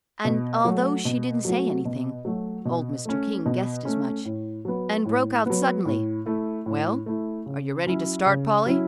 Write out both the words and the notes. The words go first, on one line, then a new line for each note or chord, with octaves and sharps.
And, although she didn't say anything, old Mr. King guessed as much, and broke out suddenly, "Well, are you ready to start, Polly?"
B2
F#3 A3 F#4
B2
F#3 A3 F#4
B2
F#3 A3 F#4
B2
A3 C#4
B2
A3 C#4
A2
F#3 B3
A2
F#3 B3
A2
A3 E4
A2
A3 E4
C#3
F#3 C#4 E4
C#3
F#3 C#4 E4